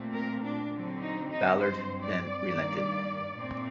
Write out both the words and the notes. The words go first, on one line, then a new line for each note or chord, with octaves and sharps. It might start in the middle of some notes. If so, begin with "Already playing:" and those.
Ballard then relented.
Already playing: A#2 A3 C4
A#4
D4
D3 F#3 C4
D#4
D#4
G2 F#3 C4 C5
D5
G2 D#3 G3 A#3
A#2 A3 C4